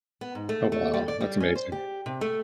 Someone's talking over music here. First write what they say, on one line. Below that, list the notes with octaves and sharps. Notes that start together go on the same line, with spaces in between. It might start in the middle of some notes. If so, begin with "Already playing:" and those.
Oh, wow. That's amazing.
B3
G#2
A3
A3
G3
D5
G3
C#4
C5
G4
C3
A3